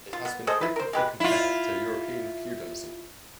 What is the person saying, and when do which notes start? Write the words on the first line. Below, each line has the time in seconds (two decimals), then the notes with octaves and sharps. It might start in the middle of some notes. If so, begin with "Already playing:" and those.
It has been frequently compared to European feudalism.
0.13 F4
0.25 B3
0.47 G#4 A4 C5 D#5
0.61 E4 B4
0.76 A#4 C5
0.93 G#3 G4 B4
1.20 E4 F4